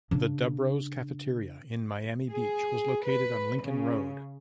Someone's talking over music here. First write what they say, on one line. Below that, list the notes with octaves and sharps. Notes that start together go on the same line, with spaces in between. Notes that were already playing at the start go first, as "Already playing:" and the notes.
The Dubrow's Cafeteria in Miami Beach was located on Lincoln Road.
C#3 D4
G#4
B4
C#3